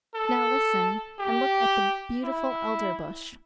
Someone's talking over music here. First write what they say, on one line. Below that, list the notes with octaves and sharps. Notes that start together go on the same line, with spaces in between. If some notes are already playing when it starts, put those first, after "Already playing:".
Now listen, and look at the beautiful Elderbush.
A4
G4
E4